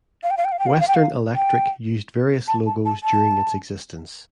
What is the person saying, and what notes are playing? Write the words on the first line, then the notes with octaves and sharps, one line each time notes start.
Western Electric used various logos during its existence.
F5
G5
F5
G5
F5
G5
F5
G5
F5
G5
F5
G5
A5
A5
A5
A5